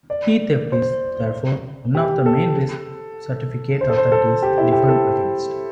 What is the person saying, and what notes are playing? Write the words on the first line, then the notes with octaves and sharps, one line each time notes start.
Key theft is therefore one of the main risks certificate authorities defend against.
D5
C5
G4
A4
C5
A4
C5
A4
G4
E4
G4
A4